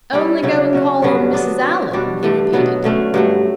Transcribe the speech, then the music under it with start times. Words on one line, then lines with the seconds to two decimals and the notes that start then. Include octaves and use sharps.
"Only go and call on Mrs. Allen!" he repeated.
0.13 G3 C#4 E4
0.43 C#3 F#3 C#4 E4
0.73 F#3 C#4 F#4
1.02 G2 D3 F#3 C#4
1.33 F#3 B3 D4
1.63 F#3 C#4 G4
1.93 B2 G3 D4 F#4
2.23 G2 D3 A3
2.53 B2 F#3 B3
2.84 D3 A3 C#4
3.14 G2 F#3 A3